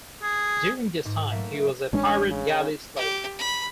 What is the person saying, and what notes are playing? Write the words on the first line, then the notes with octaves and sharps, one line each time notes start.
During this time he was a pirate galley slave.
G#4
G#2
F#3 A3 A#3 E5
A1 G#3 C#4 D4
C#3
G4
B5